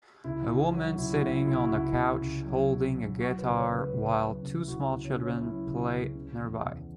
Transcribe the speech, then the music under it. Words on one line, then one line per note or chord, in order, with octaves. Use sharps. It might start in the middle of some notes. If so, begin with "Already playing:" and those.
A woman sitting on a couch holding a guitar while two small children play nearby.
C#2 E4
C#2
F#3
C#2 E4
F#4
C#2 E4
C#2 E4
F#4
C#2 E4
C#2
C#2
F#3
B2
F#3
F#3 F#4
B4
C#2
C#5
C#3
B4
C#2
F#3
C#2
E4
C#2 F#4
C#2
C#4
C#2
C#4
F#3 E4
C#2
C#2
C#3
E2
E2